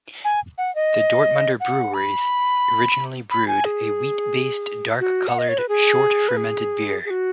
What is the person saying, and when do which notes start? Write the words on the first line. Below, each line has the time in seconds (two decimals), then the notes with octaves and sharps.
The Dortmunder breweries originally brewed a wheat based, dark coloured, short fermented beer.
0.25 G#5
0.58 F#5
0.75 D#5
1.60 F#5
1.94 B5
3.31 B5
3.48 G#5
3.65 G#4
5.01 F#4
5.28 F#5
5.39 D#5
5.49 C#5
5.58 B4
5.69 G#4
6.29 B4
6.37 G#4
7.05 G#4
7.10 F#4